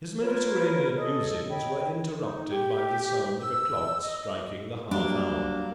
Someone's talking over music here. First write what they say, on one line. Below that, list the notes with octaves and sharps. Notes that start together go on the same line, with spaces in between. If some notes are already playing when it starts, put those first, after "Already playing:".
His Mediterranean musings were interrupted by the sound of a clock striking the half-hour.
F4 A#4 B4 C#5
G#4 A4 C#5 D#5
C#5 D#5 G5 B5
D#4
G4
E6
D#5
G2 F#3 A#3 D4